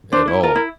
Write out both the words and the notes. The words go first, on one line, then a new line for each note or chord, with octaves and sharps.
At all.
D4 C5
E4
F4 A#4
E4